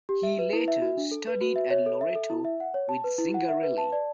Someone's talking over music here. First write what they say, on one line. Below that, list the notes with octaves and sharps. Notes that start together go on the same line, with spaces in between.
He later studied at Loreto with Zingarelli.
G4
E5
B4
E4
E5
F#4
D4
A4
B4
F#4
E5
C#5
A4
E5
A4
E4
E5
F#5
C#5
A5
B4
E4
F#5
E5
B4
A5
D5